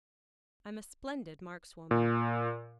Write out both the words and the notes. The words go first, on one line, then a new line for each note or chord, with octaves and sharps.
"I'm a splendid markswoman."
A#2